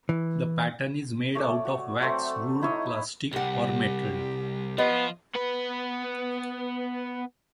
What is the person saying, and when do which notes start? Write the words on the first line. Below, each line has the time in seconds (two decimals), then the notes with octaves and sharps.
The pattern is made out of wax, wood, plastic, or metal.
0.09 E3
1.35 A3 C#5 D5
1.65 F#4
2.01 F#3 A3 C4
2.61 D#4 E4 C#5 D#5
2.86 B5
3.33 C2 G3 G4 F#5
4.78 F3 B3 F4 D#5
5.35 B3 B4